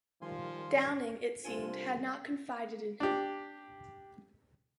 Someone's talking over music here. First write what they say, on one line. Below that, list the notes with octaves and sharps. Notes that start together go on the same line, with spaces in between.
Downing, it seemed, had not confided in him.
D#3 F3 G3 F4 G#5 C6
C2 D4 F4 A4 C5 G#5
D4 G4